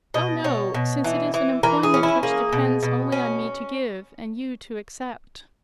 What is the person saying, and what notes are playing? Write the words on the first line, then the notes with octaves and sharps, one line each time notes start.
"Oh, no; since it is an employment which depends only on me to give, and you to accept."
B2 D#5
B2 C#5
B2
E3
E3
E3 A#4
G#4
C#4
E4
A#3 G#4
B2
B2
C#4